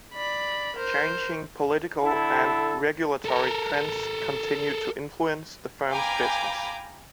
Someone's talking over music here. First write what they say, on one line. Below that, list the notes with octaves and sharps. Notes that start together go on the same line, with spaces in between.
Changing political and regulatory trends continued to influence the firm's business.
D5 B5
A#4 C5
D3 E4 A4
A4 A#4
F5 G5 G#5 A#5 B5 D6